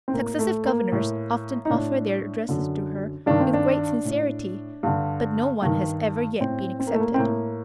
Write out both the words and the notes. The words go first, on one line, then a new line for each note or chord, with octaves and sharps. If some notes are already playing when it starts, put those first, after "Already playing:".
Successive governors often offer their addresses to her with great sincerity, but no one has ever yet been accepted.
C4
A2 A#3
A3
A#3
A2
D#4
A2 D4
F#2 D3
G2 D#3 D4
C4
D4
A2
G2 D3
G2 D#3
A2 C4
C4
A#3
A3
A#3
C4
A2 A#3